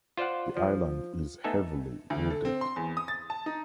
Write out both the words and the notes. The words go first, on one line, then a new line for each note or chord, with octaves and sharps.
The island is heavily wooded.
F4 C5 D5 F5 F#5
F3
A3 B3 D#4 A4 G#5 A#5
D2
A4
C4
C6
E2
D#6
A6
A5
D#4